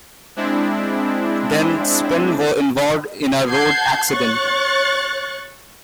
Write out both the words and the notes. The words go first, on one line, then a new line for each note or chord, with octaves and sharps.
Then, Sp!n were involved in a road accident.
G#3 C4 D4 E4
F#5 A5 G6 G#6 C7
C#5 C#6 F#6 A6